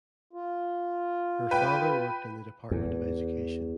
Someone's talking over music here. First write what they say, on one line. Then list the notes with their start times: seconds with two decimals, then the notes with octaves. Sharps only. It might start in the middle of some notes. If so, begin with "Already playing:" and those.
Her father worked in the Department of Education.
0.33 F4
1.51 B4 G5
2.71 E2